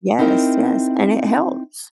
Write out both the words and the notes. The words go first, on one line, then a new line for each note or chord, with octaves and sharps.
Yes, yes, and it helps.
C4 D#4 E4 A#4